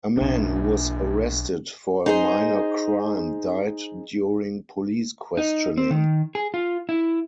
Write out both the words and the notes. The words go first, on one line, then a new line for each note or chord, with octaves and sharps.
A man who was arrested for a minor crime died during police questioning.
B1 D4
D#4 G#4 C5
D#4
C4
D#3
G#4
F4
E4